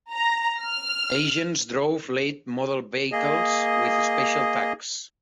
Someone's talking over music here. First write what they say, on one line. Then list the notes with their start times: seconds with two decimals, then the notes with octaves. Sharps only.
Agents drove late model vehicles with special tags.
0.11 A#5
0.59 F6
3.12 A#3 G#4 D#5